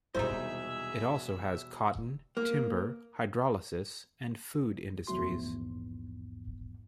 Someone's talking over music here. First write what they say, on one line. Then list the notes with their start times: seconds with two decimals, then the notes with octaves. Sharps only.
It also has cotton, timber, hydrolysis, and food industries.
0.15 E1 C2 D#4 E4 G#4 C5 E5
2.37 A#3
5.07 E2 C3 F#3 A3 F#4 C6
5.27 A#1 E2 G#2